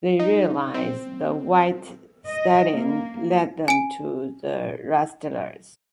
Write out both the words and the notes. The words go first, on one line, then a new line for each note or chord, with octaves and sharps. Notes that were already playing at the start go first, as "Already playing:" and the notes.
They realize the white stallion led them to the rustlers.
D#4
C4
D#5
A#3
G#5 D7